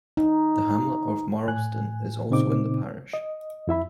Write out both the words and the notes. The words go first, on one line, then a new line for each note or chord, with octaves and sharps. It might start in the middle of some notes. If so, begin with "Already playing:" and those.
The hamlet of Marlston is also in the parish.
D#4
A2 G#5 F#6
A#2 C#3 C4 D#4 D6
D#5
F2 E4 E5 B5